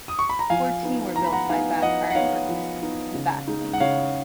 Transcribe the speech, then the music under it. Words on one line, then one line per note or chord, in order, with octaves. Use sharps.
Fourteen were built by Bath Iron Works in Bath, Maine.
D#6
C#6
B5
A#5
F3 F5 G#5
B3 D#4
F3 A#5
B5
F#5 A#5
B3 D#4 F5 G#5
F3 D#5 F#5
F#5
B3 D#4 C#5 F5
F3
B3 D#4
C#3
G#3 D#4
F#5
C#3 C#5 F5